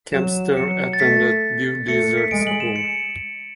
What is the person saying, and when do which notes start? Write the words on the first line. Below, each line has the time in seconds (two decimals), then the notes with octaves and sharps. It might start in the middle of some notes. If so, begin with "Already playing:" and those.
Kempster attended Beaudesert School.
0.12 F#3 E7
0.57 F#3 C#7
0.93 A6
1.00 A3 B6
1.88 A3 C#7
2.02 C#7
2.17 B6
2.31 G#3 D7
2.47 F#7
2.60 E7
2.76 C#7